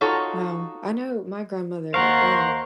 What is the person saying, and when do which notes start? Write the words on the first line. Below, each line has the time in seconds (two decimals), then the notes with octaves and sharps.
Wow, I know my grandmother, uh
0.01 D#4 F4 F#4 A4 C#5
1.94 D#2 A#4 C5 F5 F#5 C6 C#6